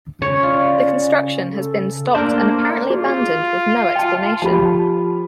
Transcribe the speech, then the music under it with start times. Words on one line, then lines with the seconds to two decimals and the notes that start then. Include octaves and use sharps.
The construction has been stopped and apparently abandoned with no explanation.
0.22 C#3 C#5
0.43 F4 D5
1.52 A4
2.15 A3 A#3 D4 A#4 C5
2.90 F4 G#4
3.95 G5 A5
4.42 F3 G4 A5 B5